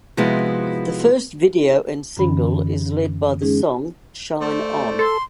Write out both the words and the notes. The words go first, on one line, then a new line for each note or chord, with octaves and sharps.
The first video and single is led by the song "Shine On".
C3 F3 G#3 B3 E4 F#4
F#2 D3 E3 C#4 B5
G#3 C#4 D#4 G#4
A3 C5 D5
A4 C6